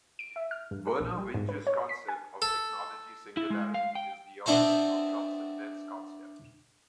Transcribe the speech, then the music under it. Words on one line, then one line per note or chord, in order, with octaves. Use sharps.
Vernor Vinge's concept of "technological singularity" is the origin of the Transcendence concept.
D7
E5
F6
G2
A#4
A#1
G3
G#2
B4
C#5
B6
G#5
A4
E4
G#3
F5
G5
B3 C4 D4 E4 A4 C5